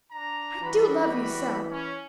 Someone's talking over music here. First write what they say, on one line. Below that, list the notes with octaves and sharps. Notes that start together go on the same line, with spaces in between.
I do love you so!
D4 A#5
E3 G3 F#4 B5
C#4